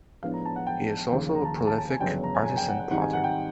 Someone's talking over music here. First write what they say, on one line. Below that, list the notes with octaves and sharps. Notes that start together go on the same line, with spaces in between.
He is also a prolific artisan potter.
A2 F3 G#3 B3 D4 F5
A#5
A5
F#5
G5
D#2 C#3 F3 A#3
A#5
A5
G#5
A5
A5
G#5
G1 F2 C#3 F#3 B3 G5
A#5
G#5
G#5
G5
F#5
F#5
G#2 D#3 G3 C4 D#4 F#5
G#5
F#5
G5